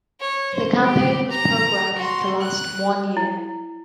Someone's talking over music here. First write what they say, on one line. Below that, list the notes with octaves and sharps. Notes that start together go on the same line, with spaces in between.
The campaign was programmed to last one year.
C#5
C5
G4
A#5
F#4 C6
F#6
E4